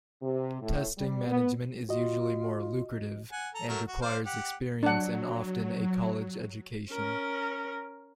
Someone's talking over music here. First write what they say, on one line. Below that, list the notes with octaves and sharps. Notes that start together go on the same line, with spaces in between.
Testing management is usually more lucrative, and requires experience and often a college education.
C3
A2
G3
B3
F4 F#4 D#5
F#5 G#5
A4 A#5
F#3 A3 A#4
F#4
C5 D5 F5
G4 F#5
F#3 D4 F#5
C#4 A#4